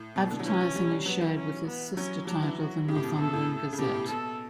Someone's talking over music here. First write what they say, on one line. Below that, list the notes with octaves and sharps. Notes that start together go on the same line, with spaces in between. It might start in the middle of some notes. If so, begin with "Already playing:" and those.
Advertising is shared with its sister title the "Northumberland Gazette".
Already playing: A2
B2
D3
F#3
E3 C#4
F#3
G3
G3
F#3 B3
E3
C#4
B3
F#3 C#4
F#3 D4
E3
F#4
C#3 G4
A2
B2
B2 A4
A2
C#3
B2 G4
A2
B2 A4